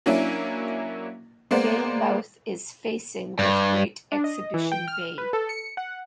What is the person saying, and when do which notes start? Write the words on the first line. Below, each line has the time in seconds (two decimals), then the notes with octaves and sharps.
Bay mouth is facing with Great Exhibition Bay.
0.06 F#3 A#3 C#4 D4 E4
1.51 G#3 A#3 B3 C5 D5
3.39 G2
4.12 D4
4.24 D#5
4.54 E3
4.72 G5
4.88 F6
5.18 B4
5.33 A4
5.49 C#7
5.77 F#5